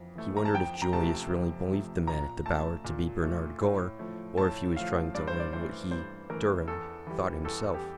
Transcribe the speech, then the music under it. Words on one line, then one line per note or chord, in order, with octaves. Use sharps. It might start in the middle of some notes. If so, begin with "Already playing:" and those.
He wondered if Julius really believed the man at the Bower to be Bernard Gore, or if he was trying to learn what he--Durham--thought himself.
Already playing: F2 E3
E3 A3
A#5
A5
F2 G5
A#5
C3 F3 A3 A5
F2
C3 F3 A3
A#2 A#5
A3 A5
A#2
A3
A2
F3 A3
A2 A5
F3 A3 F5
G2 D5
C5
D5
E3 A3 C5
G2 C5
E3 A3 A#4
E2 A4
E3 G3
E2 A4
G4